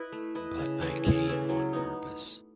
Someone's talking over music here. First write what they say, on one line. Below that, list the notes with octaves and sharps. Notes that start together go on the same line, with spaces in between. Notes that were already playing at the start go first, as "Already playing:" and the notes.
But I came on purpose.
Already playing: E4 B4 D#5
A3
E4 B4 D#5
C#3
E3 A3 E4
C#3
E3 A3 E4
F#3
B3 D#4